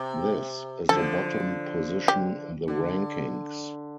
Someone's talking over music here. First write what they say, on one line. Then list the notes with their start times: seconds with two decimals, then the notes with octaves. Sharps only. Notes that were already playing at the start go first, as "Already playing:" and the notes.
This is the bottom position in the rankings.
Already playing: C3
0.89 D3 F3 A4
2.08 G4
2.68 D3